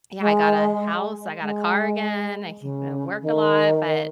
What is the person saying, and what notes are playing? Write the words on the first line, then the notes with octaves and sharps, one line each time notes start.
Yeah, I got a house, I got a car again, I ca worked a lot, but
G#3
G#3
C#3
D#3